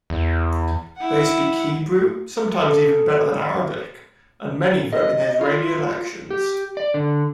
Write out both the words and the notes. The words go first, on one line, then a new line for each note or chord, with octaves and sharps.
They speak Hebrew, sometimes even better than Arabic, and many vote in Israeli elections.
E2
E4 F#5
A4
D#5
F4
G4
D5
D3